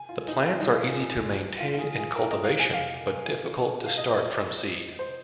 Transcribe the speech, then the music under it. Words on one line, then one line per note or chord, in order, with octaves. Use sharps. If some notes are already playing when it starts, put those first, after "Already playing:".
The plants are easy to maintain in cultivation but difficult to start from seed.
Already playing: G#5
F4
D#4
F4
D#4
F4
G#4
F4
F4
G#4
G#4
A#4
D#5
F5
G#5
F5
F5
D#5
C5
D#5
C5